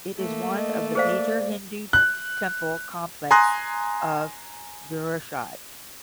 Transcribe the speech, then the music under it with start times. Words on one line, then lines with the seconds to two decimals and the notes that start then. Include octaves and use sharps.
It is one of the major Hindu Temple complex of Gujarat.
0.17 A3 A#3
0.56 D#5
0.95 G#4 C5 D5 F5
1.93 F#6
3.31 G#5 A#5 C6 D#6 F#6 A#6